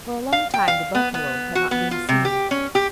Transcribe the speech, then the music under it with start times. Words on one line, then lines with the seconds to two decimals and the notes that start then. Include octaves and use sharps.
For a long time the buffalo had not been seen.
0.32 F5
0.54 G5
0.68 F5
0.95 B3
1.14 B3
1.55 F#4
1.71 B3
1.91 F4
2.09 C3
2.25 G4
2.51 C#4
2.75 G4